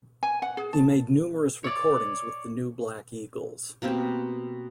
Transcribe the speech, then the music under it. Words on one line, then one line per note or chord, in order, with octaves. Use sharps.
He made numerous recordings with the New Black Eagles.
G#5
F#5
G#4
A5
C#5 D5
B2 A#3 C4 G4